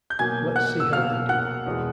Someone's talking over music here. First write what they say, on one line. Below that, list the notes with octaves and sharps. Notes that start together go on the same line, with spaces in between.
Let's see how they do.
G6
B2 F#3 A#3 G#5 G#6
F#5 F#6
E6
B2 F#3 A#3 F5 F6
F#5 F#6
E2 B2 G#3